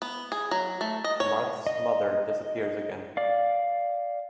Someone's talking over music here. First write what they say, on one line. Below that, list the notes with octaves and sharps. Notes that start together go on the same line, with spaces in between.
Marthe's mother disappears again.
B3
G#4
F#3
A3
D#5
C#5
D#5
D5 F5